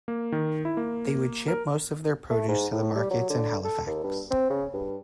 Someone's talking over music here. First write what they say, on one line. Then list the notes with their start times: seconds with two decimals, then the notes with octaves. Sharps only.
They would ship most of their produce to the markets in Halifax.
0.08 A#3
0.32 D#3
0.65 E4
0.77 A#3
1.48 A#4
2.30 A3
2.48 G#2
2.72 A2
2.95 G3
3.10 F#3
3.30 D3
3.64 A4
3.87 D#2
4.03 G2
4.30 C4
4.50 C#3
4.74 G2